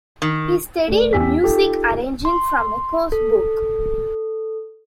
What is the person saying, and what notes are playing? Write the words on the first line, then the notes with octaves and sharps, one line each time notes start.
He studied music arranging from a course book.
D#3
A3 D5
E2 G4 G#5 E6 B6
D#4 F4 G4 A4
C6
A4